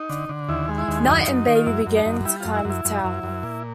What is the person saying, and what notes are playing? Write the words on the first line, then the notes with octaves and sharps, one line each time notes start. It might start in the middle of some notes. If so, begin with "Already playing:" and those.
Knight and Baby begin to climb the tower.
Already playing: D#4
D3
D3
D#2 E4
G#3
E4
D#2
F#2 D#4
F#2 D#4
D#3
F4
F#2 E4
F#2
D#4
F#2
G3 E4
F#2 F4
E4
F#2
E4
F#2
F#2
F#2
A#2